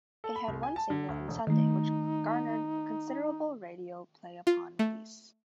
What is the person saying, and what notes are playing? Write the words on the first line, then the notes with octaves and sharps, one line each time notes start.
It had one single in "Sunday" which garnered considerable radio play upon release.
A4
B5
C2
G#5
A5
D3
D2
E1
D#3 A3 D#4
F4
A3